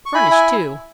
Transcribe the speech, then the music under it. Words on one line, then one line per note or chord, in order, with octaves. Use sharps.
Furnished, too.
C#6
E4 G#5 B5
E5 G#5